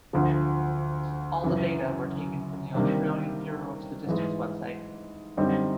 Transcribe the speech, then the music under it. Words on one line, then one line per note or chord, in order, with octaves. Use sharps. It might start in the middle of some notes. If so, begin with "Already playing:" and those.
All the data were taken from the Australian Bureau of Statistics website.
D2 D3 F3
F#2 C#3 E3
C3 D#3 G3 A#3 D4
G#2 E3 G#3
F#2 D3 G3 C4 D#4